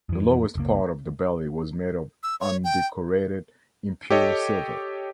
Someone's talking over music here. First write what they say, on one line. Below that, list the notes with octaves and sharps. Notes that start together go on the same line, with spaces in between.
The lowest part of the belly was made of undecorated impure silver.
F2 E3
F#1 C#2 A#3
E6
C#5
G5
G4 A4 C#5 D#5